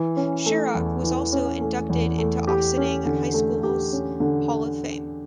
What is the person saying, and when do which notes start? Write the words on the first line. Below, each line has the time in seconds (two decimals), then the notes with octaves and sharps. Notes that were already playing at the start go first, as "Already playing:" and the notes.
Sharrock was also inducted into Ossining High School's Hall of Fame.
Already playing: E3
0.17 C#4
0.46 A3
0.75 E2
1.04 E3
1.32 C#4
1.61 A3
1.90 E2
2.18 A3
2.47 G4
2.77 C#4
3.06 D3
3.34 A3
3.63 G4
3.92 C#4
4.20 D3